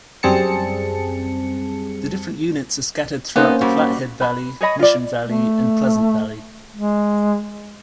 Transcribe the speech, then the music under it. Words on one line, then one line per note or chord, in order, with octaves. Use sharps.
The different units are scattered throughout the Flathead Valley, Mission Valley, and Pleasant Valley.
F#2 G3 C4 G#4 A5 C#7
A#3 B3 C#4 D#4 C5
A#2 G3 F#4
B4 B5
G#4 C#5 D#5 B5
F4 D5
A3
G#3